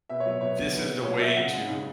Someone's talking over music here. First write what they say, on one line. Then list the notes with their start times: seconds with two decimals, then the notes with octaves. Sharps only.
Eh, this is the way to
0.09 B2 E5
0.20 C#5
0.26 F#3
0.31 E5
0.41 B2 C#5
0.58 F#3
0.73 B2
0.90 F#3
1.05 B2 C#5
1.21 F#3 E5
1.37 C#3 F#5
1.53 G#3
1.69 C#3